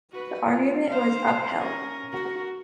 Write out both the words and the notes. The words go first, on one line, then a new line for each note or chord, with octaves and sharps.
The argument was upheld.
F#4 B4
F4
C5 F5
C#4 A#4
F#4 A#4